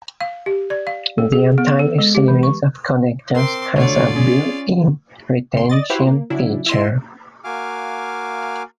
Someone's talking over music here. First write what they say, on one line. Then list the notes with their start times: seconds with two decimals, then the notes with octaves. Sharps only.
The entire series of connectors has a built-in retention feature.
0.21 F5
0.46 G4
0.70 D5
0.87 F5
1.18 A4
1.32 G#4
1.58 B3
1.79 A4
1.99 G#3
2.15 G4
2.28 E3
2.43 C#6
3.34 C4 A#4 C6 D6
3.76 D2 D3 F4 C#5 D5
4.15 C#4 G#4
5.53 G#1 C#2 C3 C6
5.69 D5 D#5 A6
5.90 E4 F#4 G4 B4 C5
6.07 A#3
6.30 C#3 F#3 D4 E4
6.66 E4 E5 C6
7.44 A#3 F#4 F5 G#5 D6 F6